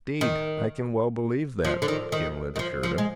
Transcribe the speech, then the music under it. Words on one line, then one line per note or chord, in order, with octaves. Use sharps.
"Indeed, I can well believe that," Gimblet assured him.
D#3
F3
D3
D#3
D#3
D#3
F3
F3
G#3